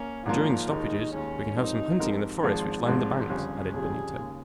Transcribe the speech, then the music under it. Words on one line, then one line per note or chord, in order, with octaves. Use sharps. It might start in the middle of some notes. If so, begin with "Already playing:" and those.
"And during the stoppages we can have some hunting in the forests which line the banks," added Benito.
Already playing: A#3 C#4
G#1 G#2 F3 A#3 F4
D#2 D#3 G#3 D#4
D#2 D#3 G#3 C#4
G#2 F3 C4 D#4 G4 A#4
G#2 F3 C4 G4 A#4
G#1 G#2 F3 G#3 C4
G#1 G#2 F3 G#3 C4 G4
G1 F2 C#3 G3 G#4
G1 F2 C#3 G3 G#4
D#2 C#3 G#3